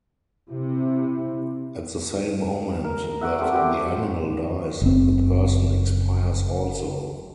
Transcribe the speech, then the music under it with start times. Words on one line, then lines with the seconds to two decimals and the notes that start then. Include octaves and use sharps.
At the same moment that the animal dies the person expires also.
0.50 C3 E4
2.84 A#4
3.21 E5 F#5 C#6 D6
3.39 G3 C4 A4
3.52 F#4 G4 D5
4.82 F#1 C4